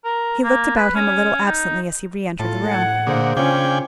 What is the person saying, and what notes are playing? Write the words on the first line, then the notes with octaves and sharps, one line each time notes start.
He looked about him a little absently as he re-entered the room.
A#4
A#3
B4
C#4
D#4
A2 F4 A4
F#5 G#6 C#7
A#2 D3 G#4 C5 F5
C#3 C#4 D4 F4 C5 F5 G5 G#5